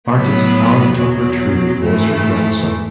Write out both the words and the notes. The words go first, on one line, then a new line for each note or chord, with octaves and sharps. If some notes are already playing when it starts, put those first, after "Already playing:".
Artist Allen Tupper True was her grandson.
A2 F#3 B3
E2 B2 F#3
G#2 E3 A3